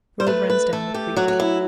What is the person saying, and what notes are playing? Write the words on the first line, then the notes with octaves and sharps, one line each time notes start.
Road runs down the creek.
C5
A3 B4
B4
A3 A4
G4
F#3 F#4
F#4
E4